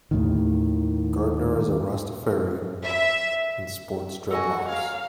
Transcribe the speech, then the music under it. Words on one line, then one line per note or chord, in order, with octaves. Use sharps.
Gardner is a rastafarian and sports dreadlocks.
D#2 A2 D#3
E5
F#4 A4 D#5 G#5
A#4 C#5 F5